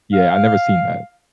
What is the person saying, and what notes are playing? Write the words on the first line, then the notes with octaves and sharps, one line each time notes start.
yeah, I've never seen that.
F5